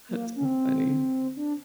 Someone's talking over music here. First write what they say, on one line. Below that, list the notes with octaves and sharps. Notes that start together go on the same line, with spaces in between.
That's so funny.
A#3
C#4
C4
D4